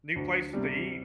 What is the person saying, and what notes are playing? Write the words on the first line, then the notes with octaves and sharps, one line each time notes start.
New places to eat,
D2
C3 G3